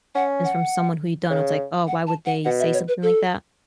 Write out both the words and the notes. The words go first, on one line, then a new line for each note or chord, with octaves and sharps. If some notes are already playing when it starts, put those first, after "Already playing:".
from someone who you don't know, it's like, "Oh, why would they say something like that?"
C#4 F#5
F#5
C#3
F#5
A5
F#5
B2 F#5
E5
C#5
B4
A4